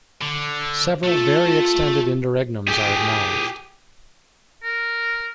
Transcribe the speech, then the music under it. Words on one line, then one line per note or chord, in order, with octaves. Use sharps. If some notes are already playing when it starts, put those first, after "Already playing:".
Several very extended interregnums are acknowledged.
D3
A3 F4 A4
G4 G#4
A#4